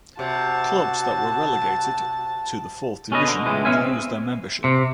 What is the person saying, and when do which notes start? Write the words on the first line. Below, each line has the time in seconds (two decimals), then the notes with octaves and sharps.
Clubs that were relegated to the fourth division would lose their membership.
0.19 C3 F#4 A5
3.11 B2 C#4 A4 B4 D#5
3.27 D3
3.46 C#2 A2 E3 G#3
3.65 B3 C#4 E5 F5 G#5
3.78 A2 C4
4.64 C3